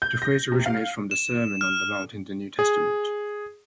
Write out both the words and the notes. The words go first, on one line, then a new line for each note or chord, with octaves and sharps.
The phrase originates from the Sermon on the Mount in the New Testament.
G6
A#6
C3
F5
E7
F6
G#4